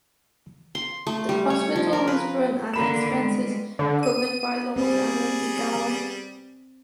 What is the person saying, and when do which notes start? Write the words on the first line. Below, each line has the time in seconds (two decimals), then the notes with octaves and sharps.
The hospital was run and expenses covered by Lord and Lady Galway.
0.75 C6
1.07 A3
1.29 G3
1.50 C#5
1.76 F3
1.93 A#4
2.08 B4
2.74 D3 A#3 A#5 B5 E7
3.20 G3 G#3
3.79 D3
4.03 D#7
4.76 G3 C4 G#4